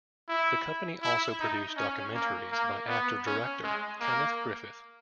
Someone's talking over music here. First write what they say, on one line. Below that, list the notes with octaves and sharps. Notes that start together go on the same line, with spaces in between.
The company also produced documentaries by actor-director Kenneth Griffith.
E4
E4
D#4
C#4
A#3
A#3
B3
C#4
G#3
A#3